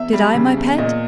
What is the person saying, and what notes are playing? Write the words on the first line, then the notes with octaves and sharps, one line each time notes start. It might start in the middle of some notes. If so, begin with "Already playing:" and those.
"Did I, my pet?"
Already playing: E2 E5
G3
C#3
E2
A#2 D#5